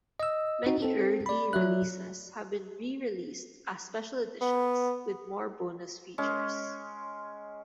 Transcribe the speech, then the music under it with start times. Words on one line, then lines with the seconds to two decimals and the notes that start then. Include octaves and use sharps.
Many early releases have been re-released as special editions, with more bonus features.
0.20 D#5 E6
0.66 C4 D#4 F#4
0.82 C4 A4
1.26 D5 B5
1.53 F#3 D5 E5 F#6
4.41 B3
6.18 G#3 C#4